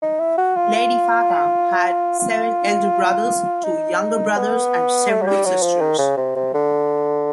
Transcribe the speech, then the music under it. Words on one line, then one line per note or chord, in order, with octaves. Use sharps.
Lady Fuca had seven elder brothers, two younger brothers, and several sisters.
D#4
E4
F#4
F4
F4
F4
D#4
B3
A3
F#3
G3
F#3
F3
D#3
C#3
C3
C3
D3